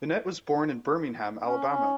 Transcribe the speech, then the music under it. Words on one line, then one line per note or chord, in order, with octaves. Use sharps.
Bennett was born in Birmingham, Alabama.
C#4